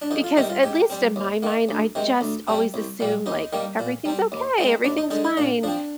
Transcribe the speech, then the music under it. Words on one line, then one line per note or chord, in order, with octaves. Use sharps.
because- at least in my mind- I just always assume, like, "Everything's okay, everything's fine,"
D4
F2 D#4
F4
C3 D#3 G3 D#4
F4
G#2 G4
G3 C4
D#2
D#3 A#3
D2
C3 D#3 G#3
D2
C3 G3 C4
C2
A#2 G3
D#2 D#4
D#3 G3 A#3
A#2
G3 C4
D#2
D#3 G#3 C4
D#2 D4
D#4
D3 G#3 D#4
D#4
A#2 D4
F3 C4 D4